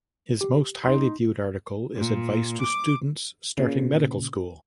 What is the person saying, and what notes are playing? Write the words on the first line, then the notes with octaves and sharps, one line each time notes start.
His most highly viewed article is advice to students starting medical school.
G4
D#4 C6
A#2
D6
A#2 C#3